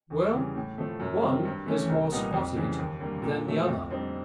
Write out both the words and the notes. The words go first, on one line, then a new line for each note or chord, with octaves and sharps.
"Well, one is more spotted than the other."
E2
C#3 E3 G3
A2
F3 A3
F#2
D#3 G3 C4
G2
E3 A3 C#4
C2
A#2 G3 B3 D#4
F2
C#3 E3 G3
D#2
D3 G3 A#3
A#2
F#3 A3
F2
D3 G3 C4 D#4